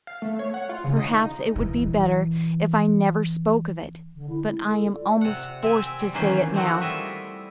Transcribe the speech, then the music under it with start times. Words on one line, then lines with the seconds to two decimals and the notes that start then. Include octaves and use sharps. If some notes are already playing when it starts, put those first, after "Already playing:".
Perhaps it would be better if I never spoke of it; but I am almost forced to say it now.
0.07 F5
0.22 A3
0.39 C#5
0.54 F#5
0.69 F4
0.84 C#3
0.97 D#5
1.09 D#4
1.56 A#2 E3
4.15 D3
4.29 E4
4.44 G#3
4.66 A4
4.82 F4
4.93 D5
5.21 C3 F#5
5.62 C4 E5 G#5
6.00 G3
6.14 D#3 E3 A#3 C#4 B4 C5
6.54 A3 C4 F#4
6.81 G3 E4 F4 D#5 E5